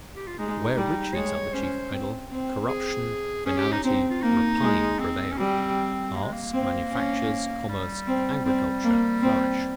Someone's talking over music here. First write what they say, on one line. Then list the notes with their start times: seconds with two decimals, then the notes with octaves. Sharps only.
Where riches are the chief idol, corruption, venality, rapine prevail: arts, manufactures, commerce, agriculture flourish.
0.16 G4
0.27 F4
0.38 G#3 D#4
0.76 G3
1.14 G#3 C#5
1.53 C#4 C5
1.91 C4
2.30 C4
2.69 G#4
3.46 C#4 G#4
3.58 G4
3.72 D#4
3.84 C4 D#4
4.10 F4
4.22 A#3 D#4
4.61 G#3
4.99 C4
5.32 C#4
5.37 G3 C4
6.15 A#3
6.23 G#3
6.33 A#3
6.53 C4
6.91 C#4
7.69 G3
8.07 C4
8.45 G3 C4
8.84 A#3
9.22 C4